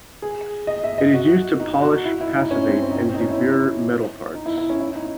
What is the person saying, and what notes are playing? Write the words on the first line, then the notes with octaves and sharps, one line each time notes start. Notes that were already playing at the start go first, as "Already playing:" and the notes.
It is used to polish, passivate, and deburr metal parts.
G#4
D#5
E5
D#5
F#4
D#4
F#4
E4
E4
D#4
C#4
C4
C4
D#4
C#4
C4
D#4
C#4
E4
D#4
E4
E4
C#4
E4
D#4